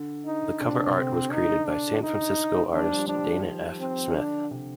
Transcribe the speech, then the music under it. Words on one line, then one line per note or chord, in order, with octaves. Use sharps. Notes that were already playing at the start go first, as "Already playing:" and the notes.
The cover art was created by San Francisco artist Dana F. Smith.
Already playing: D3
D#4
C3 D4
D3
C3
D3 C4
C3
D3 D#4
D4
D#4
F3 D4
G3
F3
G3
F3 D4
G3
F3
D#3
F3
C4
D3 D4
C3